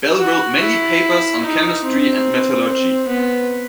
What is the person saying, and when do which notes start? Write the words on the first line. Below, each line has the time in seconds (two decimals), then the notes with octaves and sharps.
Bell wrote many papers on chemistry and metallurgy.
0.20 F#4
0.61 E4
1.43 D#4
1.84 C4
2.67 C4
3.08 B3